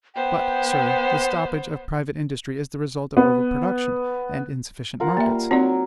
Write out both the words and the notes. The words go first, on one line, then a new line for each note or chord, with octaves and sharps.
But, sir, the stoppage of private industry is the result of over-production, and insufficient markets.
B3 C5 G5
B3
F4 A#4 F#5
G3 A#3 E5
F#3 C4 D#4 D5